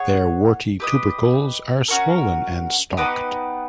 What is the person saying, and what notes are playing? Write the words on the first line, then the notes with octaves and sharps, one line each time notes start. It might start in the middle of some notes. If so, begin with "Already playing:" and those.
Their warty tubercles are swollen and stalked.
Already playing: G#4 C#5 F#5
G4 B4 D#5
C#4 F#4 A#4
B3 D#4 G4 B4